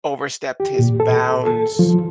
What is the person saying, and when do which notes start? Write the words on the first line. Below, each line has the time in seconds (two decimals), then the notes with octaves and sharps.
overstepped his bounds
0.60 G4
0.79 A#2
1.00 A4
1.47 A4
1.79 F3